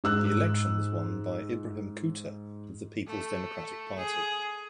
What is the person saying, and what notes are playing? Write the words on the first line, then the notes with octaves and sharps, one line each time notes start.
The election was won by Ibrahim Kuta of the Peoples Democratic Party.
G#2 E6 F#6
A3
G#4